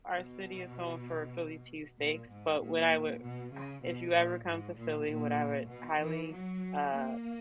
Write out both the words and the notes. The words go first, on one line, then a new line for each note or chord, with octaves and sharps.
our city is known for Philly cheesesteaks, but what I would uh, if you ever come to Philly, what I would highly, uh,
B2
A#2
G#2
A#2
B2
C#3
B2
A#2
G#2
A#2
A#2
B2
E3
F#3
A#3